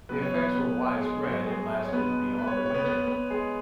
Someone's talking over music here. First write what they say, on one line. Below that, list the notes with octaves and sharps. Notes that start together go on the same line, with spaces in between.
The effects were widespread and lasted beyond the winter.
B2 F#3 B4
C#5
B3 B4
B3 B4
G#3 G#4
F#3 F#4
G#3 G#4
C#5
B2 G#3 B3 B4
B4
C#5
B4
C#5
B3 B4
B3 B4
B3 B4
G#3 G#4